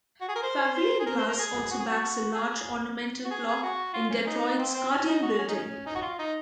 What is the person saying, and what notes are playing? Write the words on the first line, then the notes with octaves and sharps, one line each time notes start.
Favrile glass also backs a large ornamental clock in Detroit's Guardian Building.
F#4
G#4
A#4
C5
C5
G#4
A#4
C5
A#4
G#4
F#4
G#4
F#4
G#4
F#4
G#4
G#4
F#4
F4
C#4
D#4
C4
C4
C#4
D#4
F#4
C#4
D#4
C#4
D#4
F#4
F4
D#4